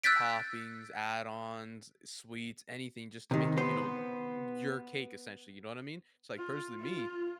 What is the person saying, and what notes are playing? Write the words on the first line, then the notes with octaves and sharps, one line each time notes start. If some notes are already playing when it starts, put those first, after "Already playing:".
toppings, add-ons, eh, sweets, anything just to make it, you know, your cake, essentially, you know what I mean? It's, like, personally, me,
E6 F#6 G6 A6 B6 D7
C3 D#3
B3 C5 C6
F4
F4